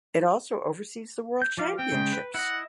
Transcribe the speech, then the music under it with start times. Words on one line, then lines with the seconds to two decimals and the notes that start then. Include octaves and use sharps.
It also oversees the World Championships.
1.42 G6
1.57 F3 D5 F5
1.79 C4 G5
1.92 C#3 G#3
2.12 B4
2.34 E4 D#5 F#5